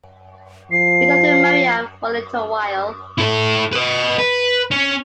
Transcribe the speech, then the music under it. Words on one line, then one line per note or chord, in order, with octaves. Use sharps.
He talked to Miriam for a little while.
F3 C7
E4 A4
B4 D#5
B4
C#4